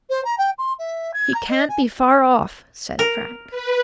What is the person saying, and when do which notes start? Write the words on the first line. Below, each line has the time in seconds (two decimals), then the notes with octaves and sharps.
"He can't be far off," said Frank.
0.10 C5
0.25 A#5
0.38 G5
0.58 C6
0.79 E5
1.14 G#6
1.34 A#5
1.49 D#5
1.69 G#5
2.99 A#4
3.51 B4